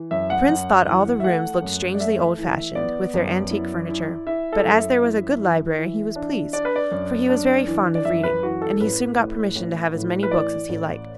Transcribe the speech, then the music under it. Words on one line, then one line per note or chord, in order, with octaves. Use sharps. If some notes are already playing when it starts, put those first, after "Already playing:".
The Prince thought all the rooms looked strangely old-fashioned, with their antique furniture, but as there was a good library he was pleased, for he was very fond of reading, and he soon got permission to have as many books as he liked.
Already playing: E3
F#2 E5
F#5
F#2
E3
E5
A3 F#5
F#2
D5
A3 E5
E3
B3 D5
F#2
E4
E4
E4 E5
A4
F#2
E5
E4
E3
E3
D4
D4 D5
B4
D5
F#2
D4
E3
D5
F#2 E5
B4
E3 F#4
A4
A1 B4
A2
A1
A2
B4
E3 D5
A1